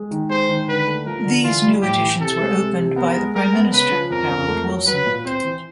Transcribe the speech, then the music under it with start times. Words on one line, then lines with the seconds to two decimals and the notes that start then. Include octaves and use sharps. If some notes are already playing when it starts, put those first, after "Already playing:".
These new additions were opened by the Prime Minister, Harold Wilson.
Already playing: G#3
0.11 D#3
0.30 G#3 C5
0.49 D#3
0.68 D3 B4
0.87 A3
1.06 F3 A#4
1.25 D3
1.44 E3 F4
1.63 G3
1.82 A2 G4
2.01 E3
2.20 C3 A4
2.39 G#3
2.58 C3
2.78 C3
2.96 B3 A#4
3.16 G#3
3.34 G#3 A#4
3.54 B3
3.72 C#3 B4
3.92 F3
4.11 F2 A#4
4.30 F2
4.48 A3
4.67 F#3
4.86 F#3 B4
5.06 A#2
5.25 C4 C5
5.44 E3